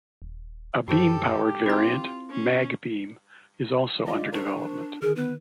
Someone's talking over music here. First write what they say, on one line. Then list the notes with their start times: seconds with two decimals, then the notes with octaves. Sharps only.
A beam-powered variant, MagBeam, is also under development.
0.22 D#1
0.88 F#2 E4 F#4 G4 A4 C5
1.66 C4 E4 F4 A#5
2.31 C#4
4.07 G#3 F4 D5 D#5
4.32 D4 A#4 C5 C#6
5.02 D3 D#3 G#4 A#4
5.16 B3 B4